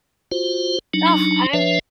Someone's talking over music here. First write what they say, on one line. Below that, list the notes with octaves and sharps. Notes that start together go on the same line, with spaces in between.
Ugh, I'm
F4 F#4 C5
F#3 D4 D#4
F3 D4 B4 C#5 E5